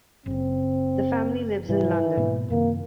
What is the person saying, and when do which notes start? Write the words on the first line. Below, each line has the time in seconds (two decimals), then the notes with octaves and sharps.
The family lives in London.
0.26 F#1 C#3 C4
1.68 G#2 C3 E3 G3
2.17 G#2 B2 A#3
2.50 F#2 C3 D#3 A#3